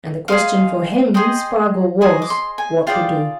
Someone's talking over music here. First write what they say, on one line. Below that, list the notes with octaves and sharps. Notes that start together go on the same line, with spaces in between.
And the question for him, Spargo, was--what to do?
G#4 C5 D#5 F5
G#4 C5 D#5 G5
G#4 C5 D#5 G#5
D6
C6
G#5
F4 G#4 D5 G5